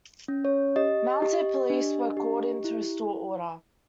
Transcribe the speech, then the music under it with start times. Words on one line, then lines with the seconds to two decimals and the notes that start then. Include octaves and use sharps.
Mounted police were called in to restore order.
0.28 C#4
0.45 C#5
0.76 G4 D#5
1.22 G4
1.70 D4
2.17 G4
2.64 E4